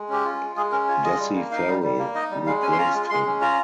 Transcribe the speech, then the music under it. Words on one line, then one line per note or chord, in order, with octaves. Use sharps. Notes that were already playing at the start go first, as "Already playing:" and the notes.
Dessie Farrell replaced him.
Already playing: G#3
C#4 G4
F4
G#3
G#3 G#4
C#4 A#4
F4 C#5
G#3 D#5
G3
A#3
D#4 F5
G3
G3
A#3
D#4 D#5
G3
G#3 F5
C#4 G#5
C6
F4 A#5
G#3
G#3 C6
C#4
F4 A#5